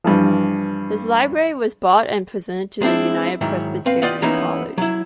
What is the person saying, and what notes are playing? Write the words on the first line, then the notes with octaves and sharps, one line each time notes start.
His library was bought and presented to the United Presbyterian College.
G2 E3 F3
G#3 C4 D4 E4
G#2 D#3 F#3 E4
C4 B4 F5
F4 G4 D5 D#5 F#5
E3 A#3 B3 C#4 D#4 E4
F#3 E4